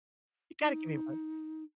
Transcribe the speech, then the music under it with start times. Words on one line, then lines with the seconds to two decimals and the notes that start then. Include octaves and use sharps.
You gotta give me one.
0.60 D#4